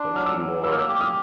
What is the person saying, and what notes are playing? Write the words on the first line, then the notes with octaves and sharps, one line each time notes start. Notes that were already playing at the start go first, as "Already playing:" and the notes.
posting more.
Already playing: D4 C6 D6
F#3 F6
D6 E6
F#3
A#3 E6
F6
D6 E6
G4
D#6 F6